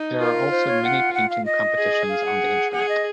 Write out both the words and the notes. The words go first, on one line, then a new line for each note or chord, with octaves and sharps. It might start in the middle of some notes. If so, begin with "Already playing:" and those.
There are also many painting competitions on the internet.
Already playing: D#4
F4 A#4
C5
C#5
F#5
F#5
F5
D#5
G#4
F5
F#5
G#4 F#5
D#5